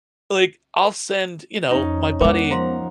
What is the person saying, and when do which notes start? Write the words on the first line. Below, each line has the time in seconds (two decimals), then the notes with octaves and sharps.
like, I'll send you know, my buddy,
1.71 F2 C#4 D#4
2.21 G#3 B3 A#4 F#5 D6
2.51 F3 C5 F5 A#5 C6